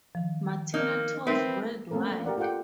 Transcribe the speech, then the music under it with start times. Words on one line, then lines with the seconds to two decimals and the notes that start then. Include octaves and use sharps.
Martino tours worldwide.
0.15 D#3 F3
0.74 A#3 D#4
1.27 C4 D#4 A#4 B4 E5
1.91 A3 A#3 C4 C#4 A4 A#4
2.12 A#3 C#4 A#4
2.24 G4 A#4 D5 F#5
2.38 F4 G4 A4 F#5 G5